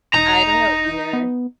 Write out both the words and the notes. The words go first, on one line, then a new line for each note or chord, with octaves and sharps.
I don't know either.
E1 D#4 A#5
B3